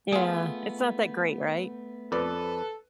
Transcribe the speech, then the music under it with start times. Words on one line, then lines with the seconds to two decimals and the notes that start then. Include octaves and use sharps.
Yeah. It's not that great, right?
0.13 A3 B3 F4 G#4
2.12 F2 A4 B4 D5